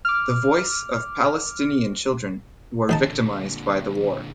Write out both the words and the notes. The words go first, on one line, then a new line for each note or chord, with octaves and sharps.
The voice of Palestinian children, who are victimized by the war.
D6 F6
A#1 A#2 D3 D#4 A5